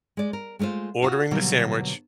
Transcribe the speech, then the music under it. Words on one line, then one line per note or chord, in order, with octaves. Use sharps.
ordering the sandwich,
G#3 D5
A#4
G#3 A3 C#4 F4 C5
F4 F#4
B2 D3 F#3 G3 A#3 B3